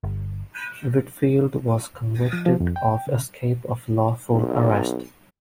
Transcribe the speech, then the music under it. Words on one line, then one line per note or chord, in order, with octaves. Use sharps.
Whitfield was convicted of escape of lawful arrest.
G1
F3
F3
F2
G5
C#3
B1